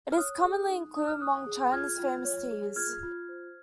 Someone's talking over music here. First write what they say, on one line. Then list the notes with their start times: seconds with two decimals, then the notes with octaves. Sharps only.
It is commonly included among China's famous teas.
0.12 F6
0.17 C#5 D#6 F#6
0.43 G#4
0.69 D#4
0.94 D#4 D#6
1.07 F6
1.21 C#5 D#6 F#6
1.46 G#4
1.72 F4 F6 G#6
1.99 F4
2.25 C#5
2.51 G#4
2.76 F4 F6 G#6
3.03 F4
3.29 C5